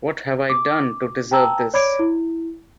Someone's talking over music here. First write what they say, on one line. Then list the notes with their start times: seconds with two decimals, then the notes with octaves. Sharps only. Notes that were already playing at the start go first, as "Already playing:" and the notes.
What Have I Done to Deserve This?
0.50 D6
1.31 G5 A5 A#5 E6
1.74 C#5 D5 B5 D6 G#6 D7
1.99 E4